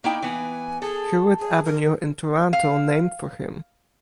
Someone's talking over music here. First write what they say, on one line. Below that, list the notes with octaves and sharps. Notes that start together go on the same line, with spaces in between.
Heward Avenue in Toronto named for him.
A#3 D#4 E4 G5
E3 B3 G#5
G#4 A4
G#4
A#4
F5